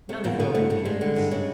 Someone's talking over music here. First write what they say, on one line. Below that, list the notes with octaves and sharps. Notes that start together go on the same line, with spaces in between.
"None of your impudence!"
C3 A3
E2 A#2 A#3
B2 D3 B3
G2 A3
G2 A3
G3 G#3
D3
G2
C#3